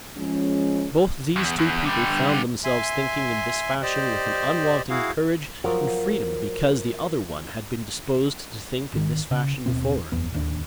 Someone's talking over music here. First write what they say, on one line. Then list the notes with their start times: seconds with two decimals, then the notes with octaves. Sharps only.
Both these two people found themselves thinking in this fashion with an unwonted courage and freedom because the other one had been disposed to think in this fashion before.
0.17 F3 G#3 C#4
1.36 E2
1.59 E2
1.86 D3 G3
2.64 E5 G#5 C6
3.82 G4 C5 D5 D#5
4.90 E4 F#4 G#4 F5
5.64 F3 F#3 A#4
8.94 G#1 D#3
9.31 C#3
9.66 D#1 B2 C4
10.12 F#1 E2 B3
10.32 D1 D#2 D4